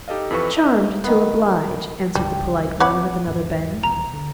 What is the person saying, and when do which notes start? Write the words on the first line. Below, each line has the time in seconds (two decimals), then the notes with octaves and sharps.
'Charmed to oblige,' answered the polite one, with another bend.
0.08 D#4 G4 A4 D#5 F5
0.31 F2 E3 A4 B4 C#6
0.57 D#5 E5
1.04 D#3 B3
2.15 C#2 G2 C#3 G3
2.80 A#1 C4 C#5 F#5 B5 D6
3.27 E2 G#2
3.83 D#1 B1 E2 A#5
4.13 D3